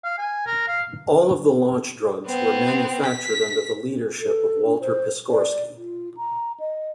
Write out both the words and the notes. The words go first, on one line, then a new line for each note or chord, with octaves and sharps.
All of the launch drugs were manufactured under the leadership of Walter Piskorski.
F5
G#5
A#4
F5
B3 C4
B6
A4
D4
C5
D5
F4
A#5
D#5